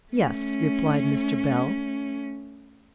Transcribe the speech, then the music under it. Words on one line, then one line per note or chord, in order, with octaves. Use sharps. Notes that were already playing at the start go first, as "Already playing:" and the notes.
'Yes,' replied Mr. Bell.
A3 C#4